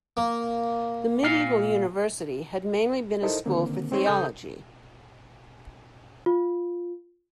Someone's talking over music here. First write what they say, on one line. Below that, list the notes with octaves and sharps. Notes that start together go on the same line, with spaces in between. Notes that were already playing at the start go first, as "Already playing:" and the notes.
The medieval university had mainly been a school for theology.
A#3
A#2 F5
D#4 E4 A4 A#4 C5 D#5
D3 D#3 A#3 C4
G#3 C4 D#4 C#5 C6
C#3 A4 D#6 G6
F4